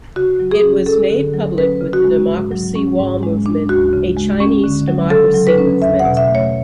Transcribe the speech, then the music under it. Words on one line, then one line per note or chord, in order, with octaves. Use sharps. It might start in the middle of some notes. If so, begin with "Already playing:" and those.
It was made public with the Democracy Wall Movement, a Chinese democracy movement.
C#3 F#4
F#3
G#4
C#4
C#4 A4
D3
F#3
C#4 B4
C#3
F#4
G#3
G#2
F#3
C#4
G#2
G#3
D4
D2 F#4
C#3
G#3
C#4
D3
F#3
C#3 A4
F#3
B4
C#4
E2 E5
F#5
B2
E5
A3
C#5